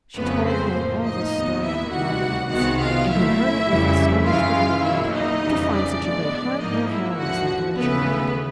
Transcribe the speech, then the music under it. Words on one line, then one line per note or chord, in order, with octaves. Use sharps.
She told him all the story of their wanderings, and he heard it with astonishment and wonder to find such a great heart and heroism in a child.
F2 C#3 F3 A3 B3 B4
C4 C5
A2 F3 A#3
D#4 D#5
D#2 D#3 G3 B3
E4 E5
D2 C3 D#3 G3 F#4 F#5
C2 C3 D#3 G#3 B3 F#4 F#5
F4 F5
A#2 F#3 A3 E4 E5
F2 C#3 E3 G3
F#2 C#3 E3 G#3 F4 F5
B2 F#3 A#3 E4 E5
D#4 D#5
F2 C#3 E3 G3
D4 D5
A2 F3 G#3 B3
G#2 F3 A#3 D#4 D#5
E4 E5
D#2 D3 F3 F#4 F#5
D#2 C#3 E3 A3 B3 B4